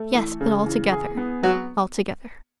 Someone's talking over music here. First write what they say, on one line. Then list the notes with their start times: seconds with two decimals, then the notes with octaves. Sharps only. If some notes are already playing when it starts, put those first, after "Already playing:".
"Yes, but altogether; altogether."
Already playing: A3
0.15 E3
0.41 C#3
0.66 E3
0.92 G#4
1.17 B3
1.43 F#3 B3 F#4